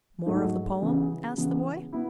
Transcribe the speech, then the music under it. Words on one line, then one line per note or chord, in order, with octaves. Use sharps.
"More of the poem?" asked the boy.
G#2 F#3 A3 D#4
C#3 E3 B3
C#3 E3 B3
B3 E4